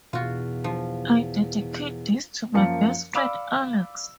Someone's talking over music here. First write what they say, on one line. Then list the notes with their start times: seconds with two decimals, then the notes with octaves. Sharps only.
I dedicate this to my best friend, Alex.
0.13 E2 B2 F4 F#4
0.64 F3
2.54 F#2 F3 A#3 F5 A5 C#7
3.14 D5 F5 B5 D6 E6